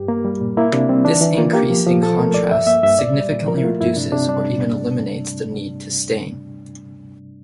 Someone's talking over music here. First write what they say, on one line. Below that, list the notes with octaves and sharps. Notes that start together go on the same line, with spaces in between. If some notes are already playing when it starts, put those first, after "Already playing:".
This increase in contrast significantly reduces, or even eliminates the need to stain.
Already playing: G2 G4
A#3
G3
A#2
A#3 E4
C3 D4
G3 C4
E3 D4
E3
A#3 F4
A#3 G4
F3
F3
A#2 A4
A3 A#4
C2 D5
G2 E5
A#3 E5
G2 E5
A#2 D5
G3
A#2
F3 A#4
E4
A3 F4
G2 E4
C3 D4
C3 D4
G3 D4